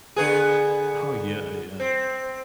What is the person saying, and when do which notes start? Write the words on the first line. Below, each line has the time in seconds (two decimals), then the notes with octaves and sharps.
Oh yeah, yeah.
0.16 D3 B3 G#4
1.80 C4